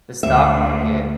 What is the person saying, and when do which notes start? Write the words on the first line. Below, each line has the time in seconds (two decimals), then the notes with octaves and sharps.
the stock market
0.23 D2 E5